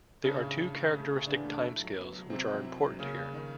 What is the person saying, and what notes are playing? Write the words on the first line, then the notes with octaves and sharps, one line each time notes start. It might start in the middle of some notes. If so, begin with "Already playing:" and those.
There are two characteristic timescales which are important here.
C#3 C#4 D4
A2
D4
A2
C#3 A3 C#4
A2
D3 E3 D4
A3
E4
F#3
B3
F#3
C3 F#3 C4
F#3
E4
F#3
C#3 A#3 C#4
G3
D#3